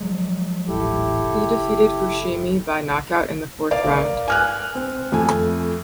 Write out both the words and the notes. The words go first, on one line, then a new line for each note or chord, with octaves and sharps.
He defeated Fushimi by knockout in the fourth round.
F3 F#3 G#3
D#1 A1 E4 G4 A4
F#1
A#4 D5 F5
G#5 F6 F#6
C4
F2 A3 G#5